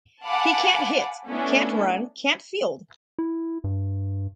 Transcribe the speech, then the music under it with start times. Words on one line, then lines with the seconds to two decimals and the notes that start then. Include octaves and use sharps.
He can't hit, can't run, can't field.
0.25 F5 F#5 G#5 A5 B5 D6
1.26 A3 B3 C#4 D4 E4 A4
3.19 E4
3.64 G2